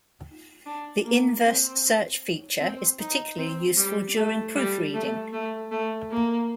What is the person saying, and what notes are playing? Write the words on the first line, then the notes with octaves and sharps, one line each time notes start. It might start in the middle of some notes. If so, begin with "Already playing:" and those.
The inverse search feature is particularly useful during proofreading.
D4
A#3
C4
C4
D#4
C4
G3
A3
G3
A3
A3
A3
A#3